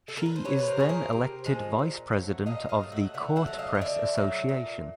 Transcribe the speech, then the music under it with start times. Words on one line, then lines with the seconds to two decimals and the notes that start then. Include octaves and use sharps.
She is then elected vice-president of the court press association.
0.08 A4
0.17 A#4
0.26 B4
0.36 C5
0.45 C3 B4 C#5
0.59 B4
0.67 A#4 C5
0.79 F3 G#3 C#5
0.89 A#4 C5
1.13 C3
1.46 F3 G#3
1.79 A#2
2.13 F#3 A3
2.46 A#2 D#5 F5
2.69 D#5 F5
2.81 F#3 A3
2.92 E5 F#5
3.14 D3 E5 F#5
3.36 E5 F#5
3.47 F#3 A3
3.58 D#5 F5
3.75 F5
3.81 D3 D5 E5
4.14 F#3 A3
4.49 A#2